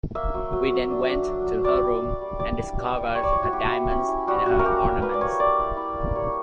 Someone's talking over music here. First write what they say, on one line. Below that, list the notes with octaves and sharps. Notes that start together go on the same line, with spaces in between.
We then went to her room and discovered her diamonds and her ornaments.
A#3 E5
F#3
F#3
F#3
D4
D4
F#3
F#3
G3 D5
G3
G3
G3
G3 D5
E4
G3
G3
G3 C#5
D5
E4 C#5
F#4
E4 G4
E4
C#4
E4
G3 F#4
C#4 F#4
A#4
A#3 G4
A#3
A#3 B4
D5
A#3 C#5
A#3 D5
E4
E4
A#3
G3 C#5